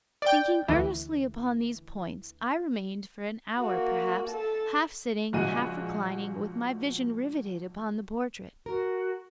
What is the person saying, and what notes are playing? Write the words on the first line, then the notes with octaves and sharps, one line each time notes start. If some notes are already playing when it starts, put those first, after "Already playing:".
Thinking earnestly upon these points, I remained, for an hour perhaps, half sitting, half reclining, with my vision riveted upon the portrait.
D5 G5
D2 E3
A#3 F#4
A4 A5
A#1 C#3 G#3 F#4 G#5 D#7
F#4 A#4